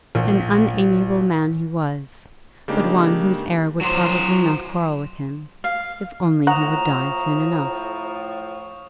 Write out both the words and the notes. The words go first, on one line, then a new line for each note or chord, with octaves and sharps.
An unamiable man he was, but one whose heir would probably not quarrel with him--if only he would die soon enough.
A#1
C#3 G#3 A#3 D4 D#4 G4
F#3 C5
F5
A2 F3 F#5 A#5 C#6 D#6 F7